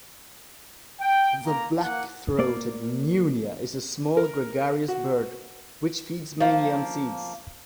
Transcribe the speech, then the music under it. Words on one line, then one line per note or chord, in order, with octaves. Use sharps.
The black-throated munia is a small gregarious bird which feeds mainly on seeds.
G5
A#3 A#5
A#3 F#5
A#3 D5
A#4
F#4
F3 A#3